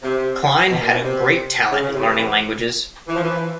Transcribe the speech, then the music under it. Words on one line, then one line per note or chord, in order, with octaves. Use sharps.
Klein had a great talent in learning languages.
C3
B2
A#2
B2
C3
C#3
C#3
C3
E3
E3
F3
E3